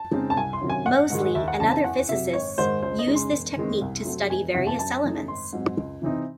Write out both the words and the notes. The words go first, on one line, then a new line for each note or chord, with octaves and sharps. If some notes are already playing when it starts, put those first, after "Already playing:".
Moseley and other physicists used this technique to study various elements.
Already playing: A5
C#3 G#3 C4 D#4
A5
C2 G#5
C6
C3 D#3 F#3 C#4
G#5
G#1 F#5
G#2 D#3 G#3
D#2 E5
F#5
C#3 E3 C4 A5
A5
E2 F#5
C3 F#3 E5
G#1 C#5
G#2 D#3 G#3 C5
C#2 C5
D#5
C#3 G#3 D#4
C6
E1
E2 D#3 G#3 C4
C2
C3 F#3 A3 C4
E1 G#5
E2 C3 E3 F#5
A5
F#2 A5
C#3 E3 A3 D#4
G#1 C6
G#2 F#3 C4
C#2
C3 E3 C4 D#4